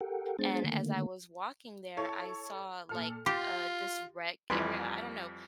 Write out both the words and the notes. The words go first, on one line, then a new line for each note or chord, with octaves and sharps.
And as I was walking there, I saw, like, uh, this rec area. I don't know.
G4 A4 A#4 F#5 G5
G#3 B3 D4 G#4 C5 A6
D3 D#3 A3 A#3
E4 A4 C#5
A#2 A4 F6
F4 G4 C6 A6 A#6
F2 E3 G3 G4 B4 C6